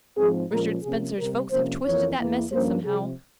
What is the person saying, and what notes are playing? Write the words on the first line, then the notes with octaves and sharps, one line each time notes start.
Richard Spencer's folks have twisted that message somehow.
G#2 F3 C4 G#4
A#2 F3 G#3 C#4 A#4
C3 F3 A#3 C#4 G#4
C3 G3 C4 A#4
C3 F3 A#3 C#4 C5
F2 E3 A#3 C#5
E2 E3 A#3
G2 F3 A#3 C#4 C5
C3 F3 C4 G#4